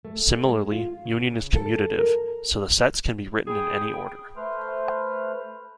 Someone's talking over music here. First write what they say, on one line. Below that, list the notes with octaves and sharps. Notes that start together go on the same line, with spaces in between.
Similarly, union is commutative, so the sets can be written in any order.
A3
G#3
F4
C#3
A4
A#4
G#4 G5 B5 D#6
A3 B4 C5 F6